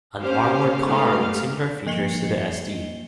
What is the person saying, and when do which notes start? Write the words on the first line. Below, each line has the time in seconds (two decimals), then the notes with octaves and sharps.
An armoured car with similar features to the Sd.
0.22 A#3 C#4 G4 C5 F5
0.84 G#3 A3 B3 D#4 G4 F5
1.86 F3 A#3 D#5 C7 C#7 G7